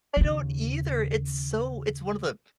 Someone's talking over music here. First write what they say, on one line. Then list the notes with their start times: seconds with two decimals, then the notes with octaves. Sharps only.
I don't either. It's so it's one of the
0.17 D#2 C#3